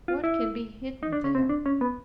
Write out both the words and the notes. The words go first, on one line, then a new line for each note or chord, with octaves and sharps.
What can be hidden there?
F4
E4
D#4
D4
C#4
C4
D4
C#4
B3